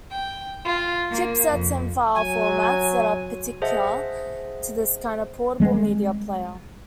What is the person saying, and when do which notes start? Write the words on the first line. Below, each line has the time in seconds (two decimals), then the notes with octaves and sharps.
Chipsets and file formats that are particular to this kind of portable media player.
0.11 G5
0.65 F4
1.10 A#3
1.51 F2
2.15 F#3 G#5
3.62 G#4 C5 D#5 E5 F#5 A5
5.60 G3 G#3 C4